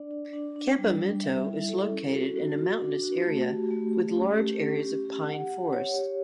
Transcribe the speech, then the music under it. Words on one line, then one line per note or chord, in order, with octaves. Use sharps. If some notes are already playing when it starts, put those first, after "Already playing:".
Campamento is located in a mountainous area with large areas of pine forests.
Already playing: D4 D5
D4
D4
D4
G3
G3
E5
E4
A4
C#4
F#4
F#4
F#4
D4
F#4
A3
G4
A3
G4
C#4
G4
C#4
G4
G4
F#5
F#5
C#5
G4